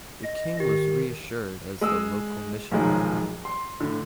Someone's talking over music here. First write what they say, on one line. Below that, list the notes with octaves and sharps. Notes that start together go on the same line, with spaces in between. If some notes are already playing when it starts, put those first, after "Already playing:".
The King was reassured as the local missionary.
D#5
D#3 G4
G#3 D#6 E6
B1 A#2 D#3 F3 F#3 G#3
C6
A2 D3